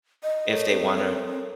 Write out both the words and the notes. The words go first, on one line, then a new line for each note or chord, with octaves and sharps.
if they wanna
D#5
A4 A#4 C#5
C4